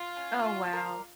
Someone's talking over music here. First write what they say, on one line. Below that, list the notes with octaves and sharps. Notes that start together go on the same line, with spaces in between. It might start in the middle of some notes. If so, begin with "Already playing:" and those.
Oh, wow.
Already playing: F4
C#4 E4
F#4
A#4 D5 F5